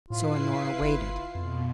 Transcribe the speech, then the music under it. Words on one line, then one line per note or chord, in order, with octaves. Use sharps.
So Honora waited.
A2 E4 F4 B4 C7
G1
F2 B2